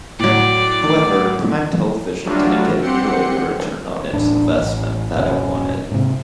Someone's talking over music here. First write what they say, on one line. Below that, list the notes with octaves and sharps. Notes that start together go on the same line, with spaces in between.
However, Prime Television didn't get nearly the return on its investment that it wanted.
A2 F#3 D5
F#3 G3 A3 D4 F4 F#4
C4 G4 F#5 C6 C#7
D#1 A1 D4
A1
D1 F#2 B2 C#4
G#2 C3